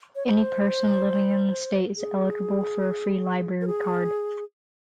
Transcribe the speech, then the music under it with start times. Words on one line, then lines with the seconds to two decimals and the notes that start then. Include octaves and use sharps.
Any person living in the state is eligible for a free library card.
0.16 C#5
0.27 C5
1.97 G#4
3.61 A#4
3.67 G#4